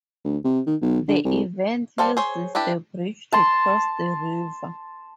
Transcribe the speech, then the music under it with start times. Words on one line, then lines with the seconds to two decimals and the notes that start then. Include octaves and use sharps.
The event uses the bridge to cross the river.
0.25 D2
0.45 C3
0.67 D#3
0.82 B1
1.08 D3
1.25 C2
1.98 G3 A4 C5 F5
2.17 G#4 C5 C#5
2.55 D4 E4 G4 B4
3.32 A5 C6